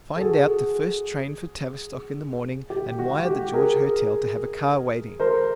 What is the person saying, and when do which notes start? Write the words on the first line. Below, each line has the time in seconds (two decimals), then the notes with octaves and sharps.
"Find out the first train for Tavistock in the morning and wire the George Hotel to have a car waiting."
0.16 A4
0.21 F#4 G#4
2.70 G4
2.99 F#4
3.25 G4
3.54 G#4 A#4
5.20 A#4 C5